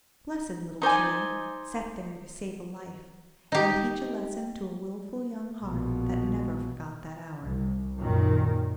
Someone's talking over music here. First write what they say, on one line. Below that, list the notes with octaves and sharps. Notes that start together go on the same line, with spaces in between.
Blessed little tree! set there to save a life, and teach a lesson to a wilful young heart that never forgot that hour.
D#4 C5 D5 G#5
D#4 G4
A#1 B2
C2
F#2 A#2 D#3